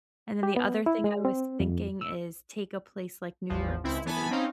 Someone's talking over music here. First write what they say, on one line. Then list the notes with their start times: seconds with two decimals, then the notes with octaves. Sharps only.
And then the other thing I was thinking is, take a place like New York City-
0.43 G4
0.57 B3
0.86 E4
1.04 G#3
1.25 C4
1.60 F2
2.01 E6
3.50 A1 E2 F3
3.84 C#2 C4 E4
4.05 E3 B3 G#5 A5 B5
4.31 C4 C#4 D#4 F5